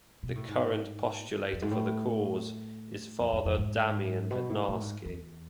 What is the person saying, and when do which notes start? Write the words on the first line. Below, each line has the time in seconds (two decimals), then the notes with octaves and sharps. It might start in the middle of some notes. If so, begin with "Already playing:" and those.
The current postulator for the cause is Father Damian Bednarski.
0.23 B2
0.35 A2
0.48 G#2
1.34 E3
1.44 G#2
1.52 F2
1.62 G#2
1.71 A2
3.20 F2
3.32 F2
3.45 F2
3.57 G#2
4.31 B2
4.49 A2
4.68 A2
4.81 G#2
5.05 E2